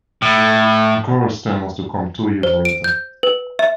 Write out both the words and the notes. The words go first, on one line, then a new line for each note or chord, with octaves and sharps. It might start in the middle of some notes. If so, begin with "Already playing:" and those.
Gorrell's turn was to come two years later.
A2
C5
D7
G6
B4
E5